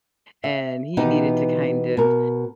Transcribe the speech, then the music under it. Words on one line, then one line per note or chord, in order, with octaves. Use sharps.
and he needed to kind of
E5
B2 E3 B3 D#4 G4
B2 A#4